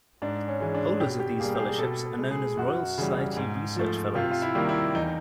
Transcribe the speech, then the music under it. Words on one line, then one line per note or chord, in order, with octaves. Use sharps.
Holders of these fellowships are known as Royal Society Research Fellows.
G#2 D4
C#4
E3 G#3
D4
B2 G4
G4
G3 A#3 G#4
G4
G#4
B2 A4
G#3
G#4
F#2 F#4
C#3 E3 G3
G#2
F3 A3
C3 F4
F4
E4
D#3 G3 A#3
E4
E2 D#4